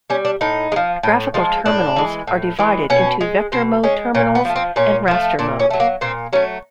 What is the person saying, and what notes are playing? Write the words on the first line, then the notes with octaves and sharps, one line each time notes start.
Graphical terminals are divided into vector-mode terminals, and raster mode.
G3 C#4
D4
A2 D#4
G#3
F3
A2
F3 G#3
A2 D4
E3 G#3
A2
E3 G#3
B2 C#4
G#3
B2 C4
G#3 C#4
A#2 C#4
B3
F3 A3
C4
A#2 C#4
F3 A3
A#2 D4
C#4
F#3 A3
A#3
A#2 C4
F#3 A3 C#4